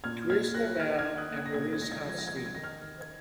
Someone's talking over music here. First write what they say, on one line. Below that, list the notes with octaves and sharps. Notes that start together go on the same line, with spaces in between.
Twist the valve and release hot steam.
A#2 F6 G#6
A#2 F6 G#6
A#3 F#6 A#6
A#6
D#3 F6 G#6
F6 G#6
D#3
D#6 F#6
A#3
G#6
A#6
A#2 G#6
A#6
G#6
G#3 A#6
G#6
A#6
F3 G#6
A#6
D#3 G#6
A#6
G#6
D#3 A#6
F6 G#6
D#3
G#6